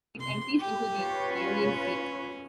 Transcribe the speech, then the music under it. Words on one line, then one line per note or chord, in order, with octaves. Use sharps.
It empties into the Ionian Sea.
C6
G4
F4 B4 C#5
C#4